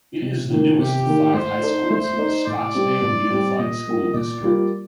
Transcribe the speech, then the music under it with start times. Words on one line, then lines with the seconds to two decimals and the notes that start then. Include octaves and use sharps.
It is the newest of five high schools in the Scottsdale Unified School District.
0.22 C3
0.50 D#3
0.55 A#3
0.78 C3 G4
1.06 D#3 A#3
1.34 A3 C5
1.63 D#4 A4 D5
1.90 A3 C5
2.19 D#4 A4 D5
2.46 A2 D5
2.75 G3 C4 G4
3.02 A2
3.30 G3 C4 G4
3.58 A#2 D#5
3.87 G3 A#3 F4
4.14 A#2 D5
4.43 G3 A#3 F4